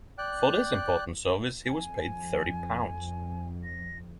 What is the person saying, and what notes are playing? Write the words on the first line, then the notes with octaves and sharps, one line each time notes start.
For this important service he was paid thirty pounds.
D5 G5 F#6
F2 G#5
A#6